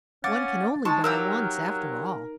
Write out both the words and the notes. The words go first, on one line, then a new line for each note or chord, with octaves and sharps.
One can only die once after all.'
C#4 F5 F#5 D6 A6
G#3 D#4 A5 C6 C#6
F#3 G4 A#4 F5 E6